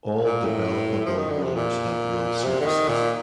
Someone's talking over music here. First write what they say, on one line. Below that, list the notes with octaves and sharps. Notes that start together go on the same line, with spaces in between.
All developable rollers have ruled surfaces.
A#2
A2
F3
D#3
D3
C3
A#2
C3
D3
D#3
A#2